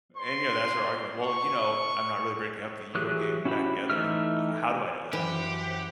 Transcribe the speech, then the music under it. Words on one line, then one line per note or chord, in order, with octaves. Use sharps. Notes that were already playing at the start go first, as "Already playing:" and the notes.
And, you know, that's her argument, "Well, you know, I'm not really breaking up, th you know we're get back together." H how do I know that?
C6
C#6
E3 F#3 G4 G#4 F#6
C#4 E4 F#4 G4 B5
E3 A3 D#4 E5 F6
F#2 E3 G4 C5 F#5